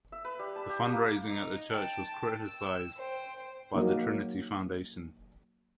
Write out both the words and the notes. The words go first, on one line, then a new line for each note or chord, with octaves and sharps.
The fundraising at the church was criticized by the Trinity Foundation.
E5
B4
G3
A5
G4
A#3
D#4
G5 A5
E6
C5 G5
F#3 A#3 D#4